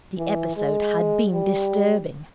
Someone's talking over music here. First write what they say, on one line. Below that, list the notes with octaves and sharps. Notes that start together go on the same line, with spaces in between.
The episode had been disturbing.
E3
G#3
G3